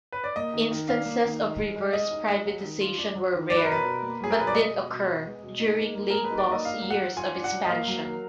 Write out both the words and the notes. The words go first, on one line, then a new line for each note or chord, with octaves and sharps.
Instances of reverse privatization were rare, but did occur during Laidlaw's years of expansion.
B4
D5
A#3 D#5
D#3
D#3
D4 F5
A#3
D#3
D#4
G#3
G#3
G#4 D#5
D#4
G#3
F#3
D#3
F4
D4
F#3
D#3
F#3 D5
B4
A#4
B2 B4
B2
A#3
F#3 G#4
A#4
B2 B4
D5
G#3 D#5
B2
B2
B3
G#3
B2
D#4
A#3
A#3
G#4 A#4
B4
D#4
D5
A#3 D#5
D4 F5
F#3
F#5
F#3
F4 G#5
D4
F#5
F#3
D#5
A#3 F5
F#3
A#4